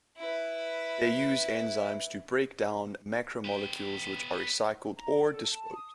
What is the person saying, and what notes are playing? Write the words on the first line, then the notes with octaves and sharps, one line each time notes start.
They use enzymes to break down macromolecules, which are recycled or disposed.
E4 B4
B3 G5
A#5
D5
A4
A5
D#6